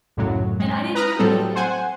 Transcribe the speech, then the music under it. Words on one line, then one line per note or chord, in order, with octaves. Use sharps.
And I didn't do anything.
C#2 F#2 A2 F#3
G#3
B4 A#5 D#6 F6
A2 F#3 G3 C4 A4
C5 F#5 G#5